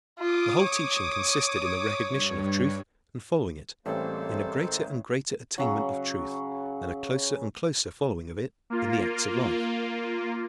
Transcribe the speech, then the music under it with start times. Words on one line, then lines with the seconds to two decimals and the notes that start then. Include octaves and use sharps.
The whole teaching consisted in the recognition of truth and following it, in a greater and greater attainment of truth, and a closer and closer following of it in the acts of life.
0.19 F4 D6 D#6
0.63 C#5
2.10 G2
3.86 A1 G3 G#3 A#3 C4 A4 C5
5.58 C#3 F#3
8.70 A#3 F4